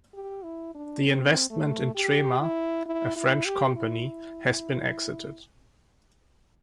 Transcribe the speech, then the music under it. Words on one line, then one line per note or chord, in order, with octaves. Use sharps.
The investment in Trema, a French company, has been exited.
G4
E4
D4
C4
A3
G4
E4
E4
E4
G4
E4